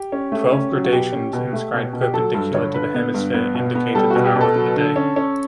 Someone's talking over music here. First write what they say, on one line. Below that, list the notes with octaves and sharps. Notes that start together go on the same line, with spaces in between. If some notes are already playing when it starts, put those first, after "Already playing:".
Twelve gradations inscribed perpendicular to the hemisphere indicated the hour of the day.
Already playing: G4
C#4
A3
C#4
F#3
F#4
B2 G4
C#4
B2
A3
B2
B2
G4
F#3 A4
G2 A4
D3 C#5
D3 B4
B3
G2
B3
B2
B3
G3 A4
F#4
B2
G4
B2
A4
F#3
D3
C#4
C#4